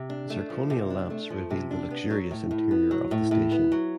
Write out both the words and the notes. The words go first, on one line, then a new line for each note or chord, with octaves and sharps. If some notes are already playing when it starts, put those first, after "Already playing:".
Zirconia lamps revealed the luxurious interior of the station.
Already playing: C3
D4
A3
F3
C3
D4
A3
F3
C3
D4
B3
F#3
A2
A2
B3
F#3
A2
A2
B3
F#3